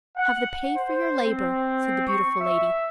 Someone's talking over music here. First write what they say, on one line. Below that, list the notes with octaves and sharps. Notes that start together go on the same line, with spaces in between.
"Have the pay for your labor?" said the beautiful lady.
F#5
C5
C4
C#6
E5